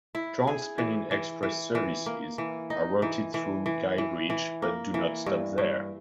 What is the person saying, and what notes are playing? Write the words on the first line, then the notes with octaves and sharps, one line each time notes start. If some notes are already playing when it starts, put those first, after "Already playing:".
TransPennine Express services are routed through Guide Bridge but do not stop there.
E4
G#4
E3
E3
E3
E3
A#3
E3
D#4
E3
E3
E3
E3
E3
A#3
E3
G2
G2